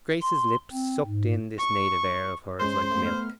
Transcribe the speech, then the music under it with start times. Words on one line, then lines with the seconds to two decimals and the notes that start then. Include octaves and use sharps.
Grace's lips sucked in this native air of hers like milk.
0.22 C6
0.72 C4
1.04 G#2
1.58 C#6
2.59 G#2 G#3 C#4 C5 C6
2.91 A3 B3
3.05 F6